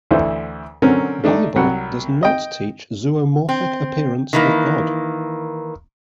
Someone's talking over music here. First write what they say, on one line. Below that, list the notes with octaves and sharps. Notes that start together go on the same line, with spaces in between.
Bible does not teach zoomorphic appearance of God.
D2 D3 E3 E4 C5
D3 F#3 C4 C#4 A#4
A3 D4 D#4
C2 F#3 F#5
D#5 G5
C4
D#3 E3 A#3